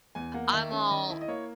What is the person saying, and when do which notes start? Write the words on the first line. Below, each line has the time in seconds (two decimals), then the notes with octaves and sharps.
I'm all
0.15 E2 G#5
0.34 A#3 F#5
0.53 D#3 E5
0.72 C#4
0.91 D#3 D#5
1.10 E4
1.21 D#5
1.28 A#3 C#5